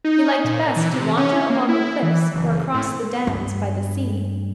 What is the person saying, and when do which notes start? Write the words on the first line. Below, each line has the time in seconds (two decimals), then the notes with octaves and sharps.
He liked best to wander along the cliffs or across the downs by the sea.
0.04 D#4
0.44 A#2
0.76 E3
0.93 C3
1.17 C#4
1.50 A#3
1.69 E4
2.02 E3
2.34 F#1
2.74 A2
3.27 G2